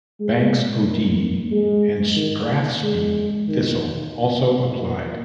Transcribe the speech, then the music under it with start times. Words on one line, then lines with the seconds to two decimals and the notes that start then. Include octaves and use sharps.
Banks O' Dee and Strathspey Thistle also applied.
0.20 G#3
0.85 A#3
1.51 G#3
2.16 D#3
2.82 G#3
3.48 D#3
4.79 A#2